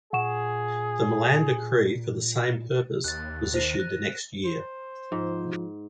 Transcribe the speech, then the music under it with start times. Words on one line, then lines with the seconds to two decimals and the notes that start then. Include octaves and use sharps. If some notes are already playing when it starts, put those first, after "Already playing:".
The Milan decree for the same purpose was issued the next year.
0.13 A#2 G#4 F#5 C#6 E7
3.04 D#2 F#6 A6
3.54 C5 A#6 D#7
3.80 F#6
4.45 C5
5.12 G#2 F3